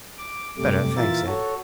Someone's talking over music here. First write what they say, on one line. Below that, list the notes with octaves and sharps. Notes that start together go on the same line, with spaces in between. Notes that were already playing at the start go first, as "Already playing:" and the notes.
"Better, thanks, Ed."
D6
F#2 C3 G3 A3 D6
A#2 E3 F4 A#4 E5 A6
F#4 A4 C#5